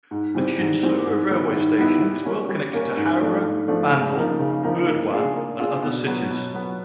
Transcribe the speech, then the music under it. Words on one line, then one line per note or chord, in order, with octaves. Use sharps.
The Chinsurah railway station is well connected to Howrah, Bandel, Burdwan, and other cities.
G#2
E3 G3 C4
G#2
E3 G3 C4
G#2
D#3 G3 B3 E4
G#2
D#3 G3 B3 E4
G3
A#3 C#4
G3
A#3 C#4
G#2
F3 A3 D4
G#2
F3 A3 D4
C#3
F3 A#3 D#4
C#3
F3 A#3 D#4
A#3
D4 F4 G#4
A#3
D4 F4 G#4
B2
F#3 B3
B2
F#3 B3